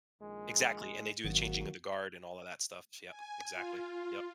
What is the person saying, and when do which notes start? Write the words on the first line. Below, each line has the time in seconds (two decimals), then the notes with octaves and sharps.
exactly, and they do the Changing of the Guard and all of that stuff, yep, exactly. Yep.
0.22 A#1 D#3 G#3
1.24 G#1 D#3 F#3 A#3 F#4
3.09 G#5
3.52 F4